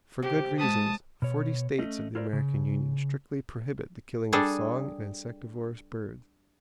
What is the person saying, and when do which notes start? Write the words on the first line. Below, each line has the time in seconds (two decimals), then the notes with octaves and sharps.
For good reasons, forty states of the American Union strictly prohibit the killing of song and insectivorous birds.
0.22 C3 G4
0.59 G#3 B4 A5 D#6
1.22 B2 C#5
1.79 A3 C#4 D#5
2.15 E4 F4 A#4 C5 D5
2.33 C#3
4.33 G3 D4 G#4 A4